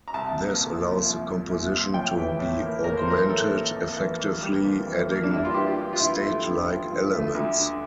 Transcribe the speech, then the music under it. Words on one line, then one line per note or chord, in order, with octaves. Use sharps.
This allows the composition to be augmented, effectively adding state-like elements.
A#5
C2 A5
A#2
C2
F3
C2
A#2
C2
F3
A2 G5
E3
A2
A#3
A2 A#4
C5
E3 A#4
A2 A4
A#3
F2
E3
A#3
G3
F2
E3
A#3
D4
G3 E4
F4
G2 G4
F3
F4
G2 E4
A3
G2
F3
G2
A3
D2
D3